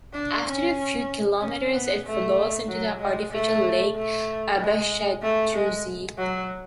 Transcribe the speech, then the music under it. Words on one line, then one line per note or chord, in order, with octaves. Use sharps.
After a few kilometers it flows into the artificial lake Aabachstausee.
D4
C#4
C#4
B3
A3
F#3
G#3
A3
A3
G#3
A3
G#3
F#3